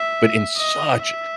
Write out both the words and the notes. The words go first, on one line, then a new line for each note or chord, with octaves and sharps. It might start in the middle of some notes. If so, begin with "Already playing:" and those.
but in such
Already playing: E5
D#5
E5